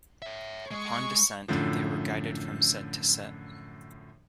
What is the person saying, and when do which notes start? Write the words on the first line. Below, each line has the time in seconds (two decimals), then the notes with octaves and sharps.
Upon descent, they were guided from set to set.
0.22 C#5 E5
0.71 G#3 C#6
1.48 F#2 A2 D3 F3